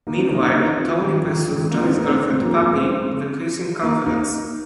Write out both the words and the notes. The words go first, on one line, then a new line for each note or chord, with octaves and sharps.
Meanwhile, Tony pursues Johnny's girlfriend Poppy with increasing confidence.
A#3 D#4
C4 F4
A#3 D#4
A#3 D#4
A#3 D#4
C4 F4
D#3 G#3
F3
D#3
F3
D#3 G#3
D#3 G#3
F3 A#3
G#3 C4
A#3 D#4
G#3 C4
G#3 C4
F3 A#3
F3 A#3
G#3 C4
A#3 D#4
A#3 D#4